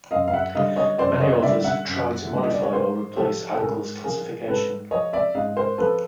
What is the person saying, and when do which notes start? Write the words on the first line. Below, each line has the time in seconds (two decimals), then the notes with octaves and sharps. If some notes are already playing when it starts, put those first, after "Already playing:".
Many authors have tried to modify or replace Angle's classification.
0.11 F#2 D#5 F5
0.28 F5
0.33 E5 F#5
0.55 D3 G3 D#5 F5
0.76 C#5 D#5
0.98 F#2 C5 D5
1.20 C#5 D#5
1.42 D3 G3 D5 E5
1.64 E5 F#5
1.86 F#2
2.30 D3 G3
2.40 D#5
2.51 D5
2.62 C#5
2.73 G#2 A#4 C5
3.16 F3 G4 A4
3.54 A4
3.60 G#2 G#4 A#4
4.04 F3 G#4 A#4
4.48 G#2 A4 B4
4.91 F3 C#5 D#5
5.13 D5 E5
5.35 G#2 D#5 F5
5.57 A#4 C5
5.78 F3 A4 B4